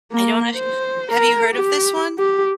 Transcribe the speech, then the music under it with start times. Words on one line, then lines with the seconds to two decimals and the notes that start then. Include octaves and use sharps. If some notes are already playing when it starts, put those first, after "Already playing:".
I don't know if you've have you heard of this one?
0.13 A#3
0.56 C5
1.12 A#4
1.54 G4
2.18 G4